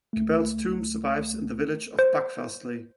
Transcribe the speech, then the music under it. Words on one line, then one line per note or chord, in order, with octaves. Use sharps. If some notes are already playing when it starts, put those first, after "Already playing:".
Cabell's tomb survives in the village of Buckfastleigh.
C#2 A3
C5